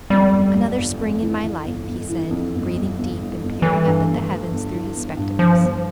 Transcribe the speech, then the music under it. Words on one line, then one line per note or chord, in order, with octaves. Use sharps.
"Another spring in my life," he said, breathing deep and peering up at the heavens through his spectacles.
F2 G3
G1
G1
G1
F2
E3
E3
G1
G1
E3
F2
G1
G1
G1
G1
G1
E3 A3
G2
G1
A3
G1
E3
G1
G2
G2 F3
G1